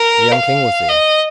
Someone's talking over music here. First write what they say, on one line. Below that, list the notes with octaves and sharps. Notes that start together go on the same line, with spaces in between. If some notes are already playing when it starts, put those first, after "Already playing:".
The Young King was there.
Already playing: A#4
F5
D#5